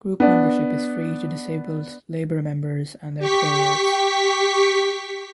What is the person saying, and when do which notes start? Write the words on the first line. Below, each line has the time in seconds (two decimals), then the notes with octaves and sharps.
Group membership is free to disabled Labour members and their carers.
0.20 B3 D4
3.19 G4 C#6 B6